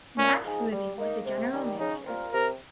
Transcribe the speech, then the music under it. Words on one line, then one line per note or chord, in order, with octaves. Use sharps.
Max Libby was the General Manager.
A#2 C#4
F3 G#3 D#4 G#4
G3
A#3 D#4
C3
D#3 G3
C#3 D#4
G3 C4 F4 A#4
C3 A#4